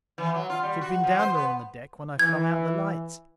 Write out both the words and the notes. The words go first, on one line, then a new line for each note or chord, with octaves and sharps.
She had been down there on the deck when I flung out the lights.
E3
F#3
F4
G3
F#4
F3
C5
B3
E3 G#6